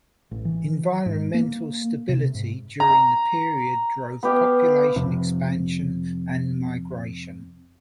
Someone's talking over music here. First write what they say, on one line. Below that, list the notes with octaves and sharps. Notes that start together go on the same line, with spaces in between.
Environmental stability during the period drove population expansion and migration.
A1
E3
G#2
A#3
C3
G#2
A#5
B3 G4 F5
F2 C3